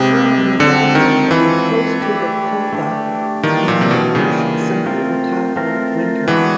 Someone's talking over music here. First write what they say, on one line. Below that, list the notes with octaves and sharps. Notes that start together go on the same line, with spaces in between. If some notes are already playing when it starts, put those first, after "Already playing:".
Curling is also played close to the Clutha in the harsh Central Otago winters.
Already playing: C3 G#3 C4 D#4 G4 B4
D3 G#3 C4 F4 A4
D#3
E3 G#3 C4 F4 A4
A3 D4 G4
A3 D4 G4
D#3 E3 G3 A#3 D4 F4
A#2
C3
B2
C#3 E3 G3 A#3 D4 F4
A3 C4 F4 A#4
A3 C4 F4 A#4
E3 G#3 B3 D4 F#4